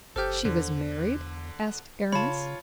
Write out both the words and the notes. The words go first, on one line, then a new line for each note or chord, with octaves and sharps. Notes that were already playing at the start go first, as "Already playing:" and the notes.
"She was married?" asked Aramis.
F#1 G4 A4 C5 F6 G6
E2 D3
C#3 F4 C#5 A5 B5